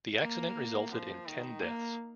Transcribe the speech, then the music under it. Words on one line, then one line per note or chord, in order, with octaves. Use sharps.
The accident resulted in ten deaths.
A#3
F3
D#3
A#3